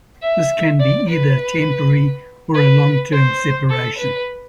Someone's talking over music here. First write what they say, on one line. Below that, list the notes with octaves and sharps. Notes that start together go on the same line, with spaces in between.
This can be either a temporary or a long-term separation.
E5
D5
B4
B4
C5
A4
B4